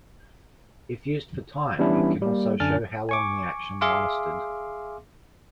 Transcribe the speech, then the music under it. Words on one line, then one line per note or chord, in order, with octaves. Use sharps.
If used for time, it can also show how long the action lasted.
E3 G3 B3 C#4 D4 E4
G3 A#3
F#2 D3 D4 G#5 F6 A6
G#5 C#6 D6
G#4 E5 F5 C6 D6